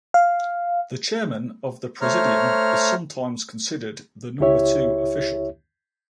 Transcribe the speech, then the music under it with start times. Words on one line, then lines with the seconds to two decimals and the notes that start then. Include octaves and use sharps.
The Chairman of the Presidium is sometimes considered the "number two official".
0.14 F5
2.02 A3 C5 C#5 A#5 F6
4.40 C#2 E4 G4 C#5 E5